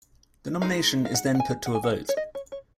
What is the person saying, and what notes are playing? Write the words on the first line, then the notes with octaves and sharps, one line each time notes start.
The nomination is then put to a vote.
G#3 D#4 F5
F5
F#5
F#5
G#5
F#5
G#5
F#5
C#5
D#5
C#5
C#5